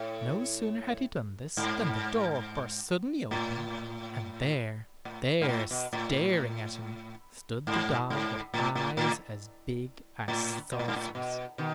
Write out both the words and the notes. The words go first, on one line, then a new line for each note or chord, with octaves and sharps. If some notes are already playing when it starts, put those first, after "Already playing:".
No sooner had he done this, than the door burst suddenly open, and there, there, staring at him, stood the dog with eyes as big as saucers.
Already playing: A2
G#2
A2
A2
G#2
A2
B2
A2
G#2
G#2
A2
A2
A2
A2
B2
A2
G#2
A2
B2
B2 D#3